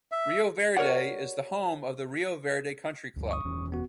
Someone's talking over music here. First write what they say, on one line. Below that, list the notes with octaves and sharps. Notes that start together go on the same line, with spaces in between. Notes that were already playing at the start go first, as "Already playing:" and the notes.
Rio Verde is the home of the Rio Verde Country Club.
E5
F#4 A#4 C#5 D5 F#5
D2 G2
C#6 D#6
E1 E2 C#4
B3 F#4